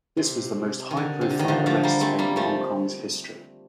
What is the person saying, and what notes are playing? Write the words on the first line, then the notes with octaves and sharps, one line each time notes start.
This was the most high-profile arrest made in Hong Kong's history.
C3
D#3
D3
C3
D3
D#3
D3 F3
F3 A3
G3 A#3
A3 C4
G3 A#3
F3 A3